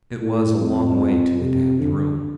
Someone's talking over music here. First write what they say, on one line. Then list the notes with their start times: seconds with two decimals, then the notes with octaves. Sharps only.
It was a long way to Madame's room.
0.20 A2
0.60 F2
1.39 C3
1.79 D3